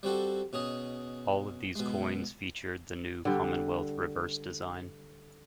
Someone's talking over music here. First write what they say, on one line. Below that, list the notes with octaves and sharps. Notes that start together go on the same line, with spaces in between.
All of these coins featured the new Commonwealth reverse design.
G3 C4 F#4 A4
B2 C#4 G#4 D#5
B2 G#3
D3 G3